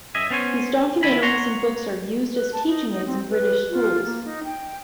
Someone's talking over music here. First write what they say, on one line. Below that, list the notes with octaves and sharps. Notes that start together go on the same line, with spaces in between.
His documentaries and books are used as teaching aids in British schools.
F#2 D#5 E5 G#5
B3 C#4 C5 C#5 G#5
D#2 E4 G#5 B5
C#5 F#5 A#5 C6
B4
A5
D#4
D#4
C4
B4
F4
A#3
D#4
G5